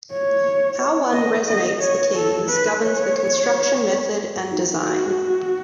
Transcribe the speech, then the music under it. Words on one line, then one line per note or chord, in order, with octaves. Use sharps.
How one resonates the keys governs the construction method and design.
C#5
D#5
D#5
C#5
A4
B4
C#5
D#4
F#4